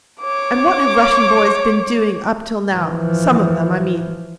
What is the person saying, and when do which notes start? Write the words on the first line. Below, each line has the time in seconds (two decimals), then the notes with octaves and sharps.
And what have Russian boys been doing up till now, some of them, I mean?
0.21 C#5 D6
2.76 E3 F3